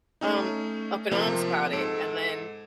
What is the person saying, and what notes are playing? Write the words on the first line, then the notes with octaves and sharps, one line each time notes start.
um, up in arms about it, and then,
A3 C#4 D#4
C3 F3 A#3 C4
G#2 A4 D7